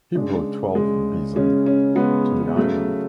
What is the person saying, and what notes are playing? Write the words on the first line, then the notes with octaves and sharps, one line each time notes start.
He brought twelve bison to the island.
C#3 G#3 D4
C#3 G#3
C#3 G#3 C#4
C#4
C#3 G#3 B3
C#3 F#3 A3